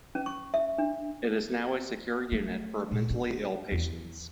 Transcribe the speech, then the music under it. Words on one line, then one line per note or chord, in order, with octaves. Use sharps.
It is now a secure unit for mentally ill patients.
C#4
C#6
E5
D4
A3
A#2
D4
E2